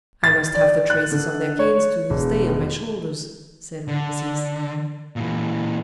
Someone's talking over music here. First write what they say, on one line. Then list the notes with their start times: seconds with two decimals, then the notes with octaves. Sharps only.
"I must have the traces of their canes to this day on my shoulders," said Rameses.
0.24 A6
0.55 D5
0.90 F#6
1.11 D3
1.59 C#5
2.10 E1
3.88 D3
5.16 A#2 E3